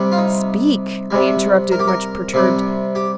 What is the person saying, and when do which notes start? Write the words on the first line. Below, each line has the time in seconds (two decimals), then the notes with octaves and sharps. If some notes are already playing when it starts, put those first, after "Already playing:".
"Speak," I interrupted, much perturbed.
Already playing: C3 G3
0.12 F4
0.18 D#4
1.11 C3 G3
1.72 A#4
1.79 G4
1.88 A#4
2.34 C3 G3
2.95 G4